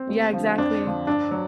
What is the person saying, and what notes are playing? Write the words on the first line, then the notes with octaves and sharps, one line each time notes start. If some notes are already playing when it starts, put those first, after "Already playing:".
Yeah, exactly.
Already playing: C4
D#2
D3 F3
F2 D4
D3 F3
G2 D4
F#3